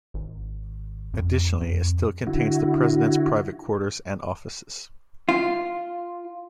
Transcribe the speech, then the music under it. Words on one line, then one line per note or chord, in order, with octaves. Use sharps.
Additionally, it still contains the president's private quarters and offices.
G#1
F2
F2
D3 E4 F#4
F4